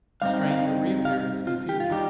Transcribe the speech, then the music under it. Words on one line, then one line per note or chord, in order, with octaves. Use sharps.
The stranger reappeared in the confusion.
G2 G3 C4 D#4 F5
F5
F5
F4
G4
F4
D#3 G3 D#4 G4